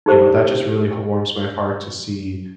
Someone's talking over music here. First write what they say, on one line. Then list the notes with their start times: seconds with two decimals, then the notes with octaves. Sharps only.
you know, that just really h warms my heart to see
0.06 D#4 G4 C5